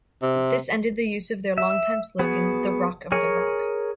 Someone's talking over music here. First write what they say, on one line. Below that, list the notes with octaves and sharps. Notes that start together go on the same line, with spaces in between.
This ended the use of their longtime slogan "The Rock of the Rock".
C3
E5
B3 F#4 G#4
G#4 A#4 C#5 G#5